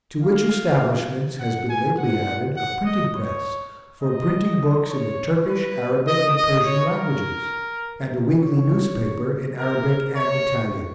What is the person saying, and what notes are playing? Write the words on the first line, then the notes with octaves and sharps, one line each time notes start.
To which establishments has been lately added a printing press, for printing books in the Turkish, Arabic and Persian languages, and a weekly newspaper in Arabic and Italian.
F5
F#5
G#5
F#5
F#5
D#5
C#5
D#5
C#5
B4
D#5
D#5
C#5
A#4
C#5
A#4
C#5